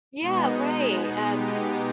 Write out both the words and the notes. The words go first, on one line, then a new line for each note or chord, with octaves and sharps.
yeah, right, um,
B2 G#3 B3 D#4
B2 G#3 B3 D#4 G4